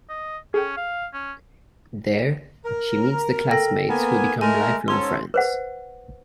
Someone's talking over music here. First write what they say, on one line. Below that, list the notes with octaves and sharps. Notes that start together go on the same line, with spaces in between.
There, she meets the classmates who become lifelong friends.
D#5
C#4 G#4 A4 G5
F5
C#4
A#4
A4 G5 A#6
A#3 B3 G#5
G#3 A3 A#4 G#5
G#2 C#4 A4 C6
B4 C5 F#5